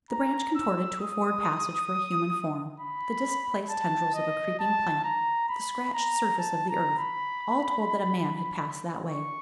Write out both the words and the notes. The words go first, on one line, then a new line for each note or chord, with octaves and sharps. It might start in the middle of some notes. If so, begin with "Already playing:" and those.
The branch contorted to afford passage for a human form--the displaced tendrils of a creeping plant-- the scratched surface of the earth--all told that a man had passed that way.
A#5
E6
D#6
B5
A5
D#5
A5
A#5
B5
A#5
A5
A#5
B5
C#6